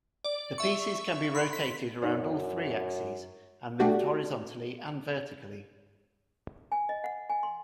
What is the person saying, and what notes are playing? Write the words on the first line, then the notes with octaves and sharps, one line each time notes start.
The pieces can be rotated around all three axes, and moved horizontally and vertically.
D5
E5 C#6
B5 C6
B6
F#2 D#4 F#4 D5
A3 D4 F#4 G4
G#5
D#5
F#5
G#5
C6